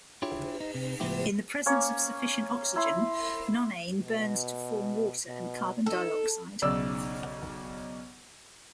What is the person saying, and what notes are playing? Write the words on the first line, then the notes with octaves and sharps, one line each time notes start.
In the presence of sufficient oxygen, nonane burns to form water and carbon dioxide.
D4 E4 F4 G4 G#4 C#5
D#4
C3
C#2 A2 F3 B3 E4 G4
A#3 C#4 C#5
E4 B5 C6
B2
B2
D#4 A4
B1 C#3 D5 E6